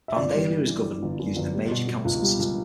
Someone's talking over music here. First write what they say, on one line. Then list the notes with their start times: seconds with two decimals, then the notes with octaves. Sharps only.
Vandalia is governed using the mayor council system.
0.08 E5
0.16 G1 D5
0.34 G3
0.50 E3
0.67 E3
0.85 E3
1.03 G1
1.19 F#2
1.37 G1
1.53 G3
1.71 B2
1.87 B2
2.05 C#2
2.22 G3
2.39 C#2